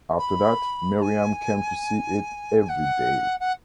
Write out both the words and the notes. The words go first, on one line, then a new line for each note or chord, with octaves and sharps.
After that, Miriam came to see it every day.
B5
G#5
F#5
F#5